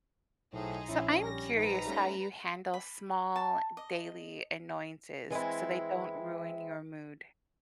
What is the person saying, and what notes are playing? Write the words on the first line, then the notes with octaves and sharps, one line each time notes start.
So, I'm curious how you handle small, daily, annoyances so they don't ruin your mood.
B1 A2 D#4 G#4 C5
A#1 C#4 E4
G3 A#6
G#2 D#4 B4 A#5
G3 A3 C#4
B5
A5
D#5
E3 G#3 C4 E4